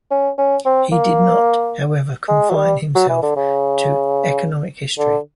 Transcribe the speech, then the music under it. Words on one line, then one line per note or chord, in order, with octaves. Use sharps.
He did not, however, confine himself to economic history.
C#4
C#4
C4
A#3
G#3
F#3
G3
F#3
E3
D3
C#3
D3